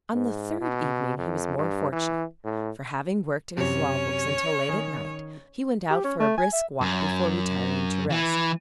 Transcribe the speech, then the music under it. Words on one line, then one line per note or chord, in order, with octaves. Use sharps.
On the third evening he was more fortunate, for having worked at his law books until late at night, he went out for a brisk walk before retiring to rest.
G#2
B2
F2
G2
E3
A2
F#2 C3 C#4 C#5
D#3 G#5
G4
C#4
A3
G#5
E5
F#2
E3